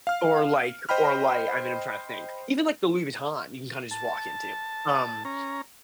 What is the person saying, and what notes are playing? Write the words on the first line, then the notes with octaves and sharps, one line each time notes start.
Or like or like, I mean, I'm trying to think even, like, the Louis Vuitton, you can kind of just walk into. Um,
F5 F6
C5 D#5 G5 B5 F6
A5
C#4 A#5